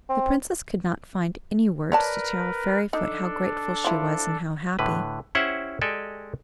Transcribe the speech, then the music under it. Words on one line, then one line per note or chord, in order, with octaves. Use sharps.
The Princess could not find any words to tell Fairyfoot how grateful she was and how happy.
C4
A#4 B4 C#5 D5 A5
D4 D#4 A4
F3 E4
A2 D3 B4
C#4 E4 G4 C5 E5 F#5
G#3 G4 A4 D5 D#5 G#5